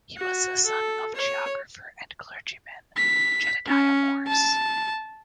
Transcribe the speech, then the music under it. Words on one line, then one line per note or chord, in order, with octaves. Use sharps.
He was the son of geographer and clergyman Jedidiah Morse.
F#4
A4
C#5
B6
C#4
A5